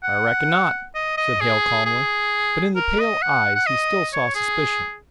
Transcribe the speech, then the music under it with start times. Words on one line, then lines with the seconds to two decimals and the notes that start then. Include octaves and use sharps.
"I reckon not," said Hale calmly, but in the pale eyes he still saw suspicion.
0.04 F#5
0.95 D#5
1.18 D#5
1.41 G#4
1.85 G#4
2.76 A#4
3.00 D#5
3.22 F#5
3.55 F#5
3.67 D#5
4.13 C#5
4.35 G#4